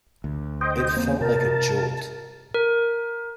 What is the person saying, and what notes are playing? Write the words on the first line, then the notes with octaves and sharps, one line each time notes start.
It felt like a jolt.
D2
C5 D#5 G5
E2 A#3 C4
C3 A#4 A5
A#4